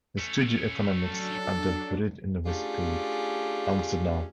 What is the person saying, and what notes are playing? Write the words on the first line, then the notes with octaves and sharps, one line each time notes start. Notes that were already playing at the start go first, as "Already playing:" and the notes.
He studied economics at the Vrije Universiteit Amsterdam.
A3 C#4
F#3 D4 A4
A3 C#4 D4 F4 G4 G#4